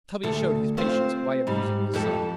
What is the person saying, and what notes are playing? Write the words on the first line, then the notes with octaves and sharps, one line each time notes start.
Tubby showed his patience by abusing his son.
D2 A4
C4 F4 C5
G#2 G3
F2 G4 A4